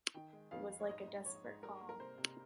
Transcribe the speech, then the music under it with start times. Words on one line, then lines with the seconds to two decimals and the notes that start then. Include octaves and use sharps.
It was like a desperate call.
0.14 D#3 G5
0.33 G#3
0.51 F2 F5
0.70 F2
0.80 C#5
0.89 G#2 D#5
1.07 G#2
1.25 A#1 C#5
1.44 G#2
1.62 G3 A#4
1.81 A#3
1.89 A#4
1.99 C3 C5
2.18 C3